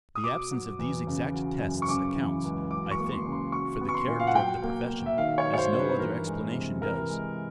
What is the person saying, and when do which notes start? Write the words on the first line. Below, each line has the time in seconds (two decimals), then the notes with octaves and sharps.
The absence of these exact tests accounts, I think, for the character of the profession, as no other explanation does.
0.15 D#6
0.24 B2 D6
0.51 F#3
0.79 E2
1.07 C#3
1.34 F#3
1.61 F#2
1.82 C#6
1.88 C#3 D6
2.15 E3
2.43 C#2
2.71 F#3 D6
2.91 C#6
2.99 A#3
3.12 C6
3.26 C#3
3.32 C6
3.52 F#3 C#6
3.80 B3
3.89 C#6
3.94 C6
4.07 A#2
4.20 F5
4.27 F#5
4.35 F#3 G5
4.63 A#3
4.90 B2
5.06 E5
5.17 D#3 F5
5.38 C#5
5.44 F#3
5.53 C#5
5.58 C5
5.73 G2
5.79 B4
5.99 E3 A#4
6.27 G#3
6.54 C3
6.81 E3 A#4
7.09 G#3